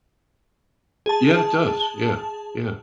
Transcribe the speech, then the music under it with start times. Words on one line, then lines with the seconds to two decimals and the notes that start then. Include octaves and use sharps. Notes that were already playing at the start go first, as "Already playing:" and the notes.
Yeah, it does, yeah, yeah,
1.06 G#4 A5